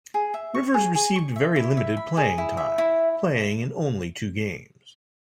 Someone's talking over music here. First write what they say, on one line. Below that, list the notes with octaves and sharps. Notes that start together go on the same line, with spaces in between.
Rivers received very limited playing time, playing in only two games.
G#4
E5
C#6
G#4
G#4
C#6
E5
E4
E5
B5
G#4
E4
E5
E4